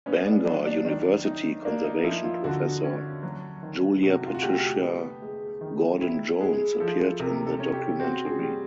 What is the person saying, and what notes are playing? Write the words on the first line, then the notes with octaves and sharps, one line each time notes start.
Bangor University conservation professor Julia Patricia Gordon Jones appeared in the documentary.
B3 C#4
D4
F#3 D4
D4
D#3 D4
D#4
A#3 D4
D#4
F3 E4
F4
D3 F#4
C#4
F#3
D#3
C3 F#4
F4
F#4
A3 G4
B3
G#3
D#3
E4
G#3 G#4
F3 A4
C3 A#4
A4
C#4
G4
C4 F#4
G#4
G3